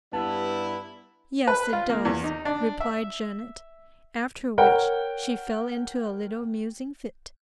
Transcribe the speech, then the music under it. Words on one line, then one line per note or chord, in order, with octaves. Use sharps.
"Yes, it does," replied Janet, after which she fell into a little musing-fit.
G2 G3 B3 E4 A5
B4
F4
A#3
E2
D#4
D4
E5
A#4 C#5 F#5 G5